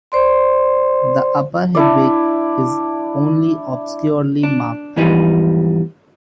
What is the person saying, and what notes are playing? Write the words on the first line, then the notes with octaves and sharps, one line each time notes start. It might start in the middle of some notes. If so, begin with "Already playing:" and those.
The upper hindwing is only obscurely marked.
C5 D5 C6
D4 E4 D5
D4
E2 G#2 E3 F3 G3 D#4